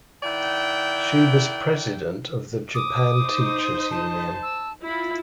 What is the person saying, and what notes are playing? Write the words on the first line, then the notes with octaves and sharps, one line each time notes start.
She was president of the Japan Teachers Union.
D#3 E4 D5 F#5 G5
D6 D#6
D#4 C5
A5
E6
E4 F4 B5